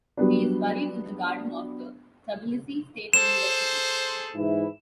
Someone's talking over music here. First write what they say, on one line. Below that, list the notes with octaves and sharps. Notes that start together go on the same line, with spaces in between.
He is buried in the garden of the Tbilisi State University.
F#3 G3 B3 D4
G#4 A4 C5 E7
G#2 E3 E4